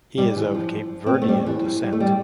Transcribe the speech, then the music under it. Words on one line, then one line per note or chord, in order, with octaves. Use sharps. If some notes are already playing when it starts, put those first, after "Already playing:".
He is of Cape Verdean descent.
G3
E3
F3
C4
B3
A3
G3
E3
F3
G3
A3
G3